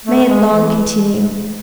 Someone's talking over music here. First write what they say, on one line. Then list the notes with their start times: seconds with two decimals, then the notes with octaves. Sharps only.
May it long continue!
0.06 A3
0.28 G#3
0.49 E3